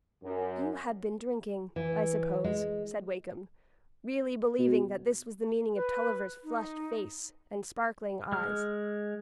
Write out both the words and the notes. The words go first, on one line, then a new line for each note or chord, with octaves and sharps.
"You have been drinking, I suppose," said Wakem, really believing that this was the meaning of Tulliver's flushed face and sparkling eyes.
F#2
E3
G#3
B2
B4
D#4
G#3 F6